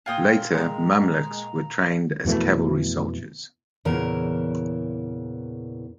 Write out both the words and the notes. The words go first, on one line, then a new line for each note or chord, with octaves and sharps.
Later Mamluks were trained as cavalry soldiers.
A#2 F4 G5 G#5 D#6
G#3 A#5
F2 B2 E3 A3
E2 A#2 C#3 E3 A#4